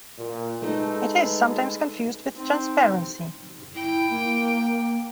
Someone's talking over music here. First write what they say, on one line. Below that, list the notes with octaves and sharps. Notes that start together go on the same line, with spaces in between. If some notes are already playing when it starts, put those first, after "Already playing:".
It is sometimes confused with transparency.
A#2
G#3 A3 D#4 A4 B4
C4 D#4
E4 G5
A#3